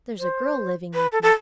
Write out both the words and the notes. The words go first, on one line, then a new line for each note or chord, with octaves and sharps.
'There's a girl living with me.
C5
B4
A4
A4